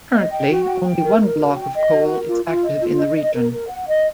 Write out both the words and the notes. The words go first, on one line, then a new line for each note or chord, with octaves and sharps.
Currently only one block of coal is active in the region.
D#5
G5
F#4
G5
G5
A#4
A#4
F#4
G5
D#5
F#4
A#4
F4
F4
D#5
F4
D#5
D#5
A#4
A#4
F#5
D#5